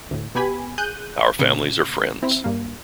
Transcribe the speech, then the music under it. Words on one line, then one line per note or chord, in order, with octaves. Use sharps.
Our families are friends.
D2 A2
B2 B3 G4 G#5 B5
G#4 F#6 G6 D#7
A#2 C#3
C4 E4
G2 A#3